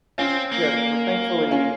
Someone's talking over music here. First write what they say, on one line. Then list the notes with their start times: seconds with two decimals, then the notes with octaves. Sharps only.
Yeah, but, thankfully,
0.18 C4 C#4 F4
0.52 A#3
1.51 C#4 F4